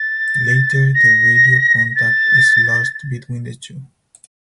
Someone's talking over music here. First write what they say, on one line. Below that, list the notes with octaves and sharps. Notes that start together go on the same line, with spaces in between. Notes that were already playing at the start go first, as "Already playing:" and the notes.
Later the radio contact is lost between the two.
Already playing: A6
A#6
A6